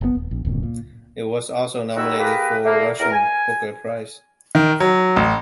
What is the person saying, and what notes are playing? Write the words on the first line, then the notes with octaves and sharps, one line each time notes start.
It was also nominated for the Russian "Booker" prize.
F#1 B2 B3
D#1
A#1
D1 C#2 F#2 B2
A#2
D#2 A#2 D#3 E4 F#4 E6
A#3 G4 G#4 A#4 B4
D3 G3 A3 A#3
E2 A#4
G#5
D#3
F#3
A1